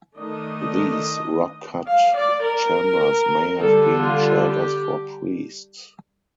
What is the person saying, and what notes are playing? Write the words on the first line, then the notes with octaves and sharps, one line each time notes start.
These rock-cut chambers may have been shelters for priests.
D#3 A3 D4 D#5
F5
D5
A#4
D3 G3 D4 A4
F4
G4